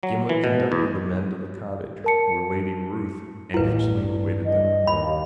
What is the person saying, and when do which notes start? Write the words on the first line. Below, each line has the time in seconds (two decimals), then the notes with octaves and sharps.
Gimblet conducted the men to the cottage, where Lady Ruth anxiously awaited them.
0.03 F#3
0.29 E3
0.44 B2
0.72 E2
2.04 A#4 A5 C#7
3.54 A1 D#2 E4 B4
3.88 G2
4.45 G2 D#5
4.87 D#2 B5